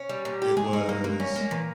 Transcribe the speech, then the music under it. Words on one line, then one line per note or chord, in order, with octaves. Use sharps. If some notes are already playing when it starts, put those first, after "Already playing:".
It was
Already playing: C#4
G3
A#2
G4
G#3 G#4
G#3 D#4
G3 A#3
G3
G#3 A#3
G3 C#4
G3
A#3
G#3
A#2 E3